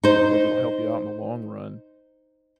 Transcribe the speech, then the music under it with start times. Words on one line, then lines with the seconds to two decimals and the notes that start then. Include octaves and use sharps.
'cause it'll help you out in the long run.
0.04 D#4 C5